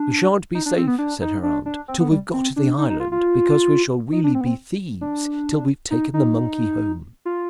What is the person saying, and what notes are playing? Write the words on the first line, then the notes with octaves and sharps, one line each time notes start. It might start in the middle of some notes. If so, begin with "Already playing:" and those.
"We shan't be safe," said her aunt, "till we've got to the island; because we shall really be thieves till we've taken the monkey home."
Already playing: D4
D#4
D4
C4
B3
D4
D#4
D4
D4
C4
B3
G3
C4
D4
D#4
D#4
F4
F4
D#4
D4
C4
B3
C4
D4
D#4
D#4
F4